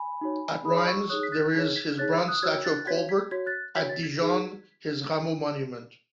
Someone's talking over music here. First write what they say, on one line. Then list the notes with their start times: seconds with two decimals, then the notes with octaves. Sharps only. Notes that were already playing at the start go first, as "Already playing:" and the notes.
At Reims there is his bronze statue of "Colbert", at Dijon his "Rameau" monument.
Already playing: G#5 B5
0.21 D#4 F#4 C#5
0.65 D#4 G#4 C#5 B5 D#6
0.87 C#6 E6
1.10 D#4 G#4 C#5 D#6 F#6
1.23 B6
1.32 F#6 A6
1.54 D#4 G#4 C#5 G#6 B6
1.76 G#6 B6
1.98 D#4 G#4 C#5 F#6 A6
2.13 E6 G#6
2.28 D#6 F#6
2.43 F#4 C#5 E6 G#6
2.65 F#6 A6
2.87 F#4 C#5 G#6 B6
3.09 G#6 B6
3.31 F#4 C#5 G#6 B6
3.47 F#6 A6
3.76 F#4 C#5 B6
3.89 A6
4.03 G#6 B6
4.20 D#4 G#4 B4